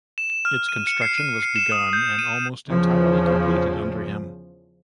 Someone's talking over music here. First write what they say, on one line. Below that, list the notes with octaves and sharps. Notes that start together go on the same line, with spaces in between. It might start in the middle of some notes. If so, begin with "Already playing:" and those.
Its construction was begun and almost entirely completed under him.
E7
E7
F6
D#7
C#7
C7
D#7
C7
E7
D#6
G6
D#7
E2 C#3 F3